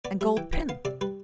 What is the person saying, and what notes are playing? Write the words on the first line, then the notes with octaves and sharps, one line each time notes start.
And gold pin.
B3 D5
G3 E5
E3 G5
E3 G5
B3 F5
C3 D5
G3 B4